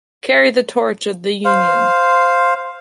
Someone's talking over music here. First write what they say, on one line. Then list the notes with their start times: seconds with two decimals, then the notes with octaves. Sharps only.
Carry the torch of the Union!
1.45 C5 F5